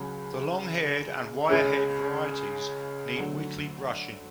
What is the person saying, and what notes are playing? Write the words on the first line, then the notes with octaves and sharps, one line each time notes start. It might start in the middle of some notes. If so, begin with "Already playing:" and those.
The longhaired and wirehaired varieties need weekly brushing.
Already playing: C#2 C#3 F#3
C#2 C#3 G#3 C#4
D2 D3 F#3 A3